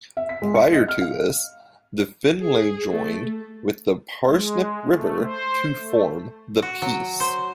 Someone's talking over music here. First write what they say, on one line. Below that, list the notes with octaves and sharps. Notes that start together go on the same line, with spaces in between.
Prior to this, the Finlay joined with the Parsnip River to form the Peace.
E5
B6
G#3
C#7
D#5
F6
F5
G#4
A3
G#3
A3
C5
A3
F#4
F#3
C5